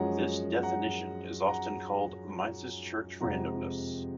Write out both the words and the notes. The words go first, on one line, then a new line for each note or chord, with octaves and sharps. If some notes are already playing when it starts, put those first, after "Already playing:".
This definition is often called "Mises-Church randomness".
Already playing: F#2 F3 G#3 C#4 F#5 A#5
F#5 A#5
F#5 A#5
F2 C3 F3 G#3 F#5 A#5